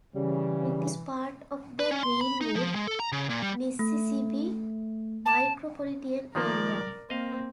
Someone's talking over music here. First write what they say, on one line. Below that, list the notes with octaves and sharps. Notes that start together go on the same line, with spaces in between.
It is part of the Greenwood, Mississippi micropolitan area.
C#3 E3 G3
B4
C#4
C6
B5
D#4
F3
G#3
A4
A#5
C#3
A#2
G3
A3
A5
D#3 F3 A#3 A#4 D5
A#3 C4 D#5 F5